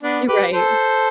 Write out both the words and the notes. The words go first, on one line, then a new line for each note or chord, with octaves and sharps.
You're right.
B3 D4
G4 B4
A4 C5